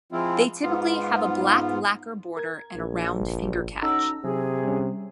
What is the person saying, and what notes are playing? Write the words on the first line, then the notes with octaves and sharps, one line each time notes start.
They typically have a black lacquer border and a round finger catch.
F3 G#3 C4 E4 F4
G#2 B3 F4
A#4 G#6
A#1
G1
F#3 C#4 D#4 A4 A#5 E6
C3 F#3 G#4
G3 C#4